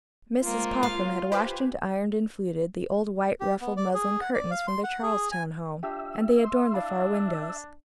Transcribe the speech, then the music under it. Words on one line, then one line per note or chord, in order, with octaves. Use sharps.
Mrs. Popham had washed and ironed and fluted the old white ruffled muslin curtains from the Charlestown home, and they adorned the four windows.
G#3 A#3 C4 F4
F5
G4 B4 C5 G#5
G4
B3
D5
G#4
F#5
D5
F5
C6
F#5
G#4
G#5
D4 F4 G4 E5
C6
D4 E4 F5 B5